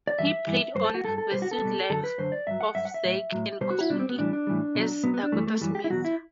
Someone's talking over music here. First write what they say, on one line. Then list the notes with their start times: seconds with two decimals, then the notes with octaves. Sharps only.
He played on "The Suite Life of Zack and Cody" as Dakota Smith.
0.07 D5
0.19 G2 E3 G3 E5
0.47 G2 E3 G3
0.75 G2 F#3 C5
0.84 A4
0.95 F#4
1.04 G2 F#3 A4
1.18 A4
1.32 B2 G3 C5
1.42 F#4
1.51 A4
1.62 B2 G3
1.90 F#2 D3 F#3 A4
2.04 B4
2.18 F#2 D3 F#3 C5
2.32 D5
2.47 G2 F#3 E5
2.61 F#5
2.75 G2 F#3 E5
2.85 F#5
2.94 E5
3.05 A2 F#3
3.32 A2 F#3
3.61 B2 G3 C5
3.70 F#4
3.81 E4
3.90 B2 G3 D4
3.99 C4
4.09 B3
4.18 A2 E3 G3 D4
4.33 D4
4.47 A2 E3 G3
4.75 B2 F#3
5.04 B2 F#3 B3
5.14 B3
5.23 D4
5.32 F#2 E3 G3 A3
5.47 A3
5.61 F#2 E3 G3
5.75 G4
5.84 E4
5.90 E2 B2 F#3 F#4
6.05 E4